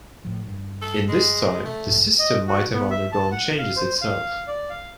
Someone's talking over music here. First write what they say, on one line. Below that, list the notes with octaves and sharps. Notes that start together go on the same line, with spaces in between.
In this time, the system might have undergone changes itself.
A2 F3
G2
A4
G#3
A3
B1 F2 G#2
D#5
F#4
B3
E5
A5
F#5
F5
C5
F5
D5
F5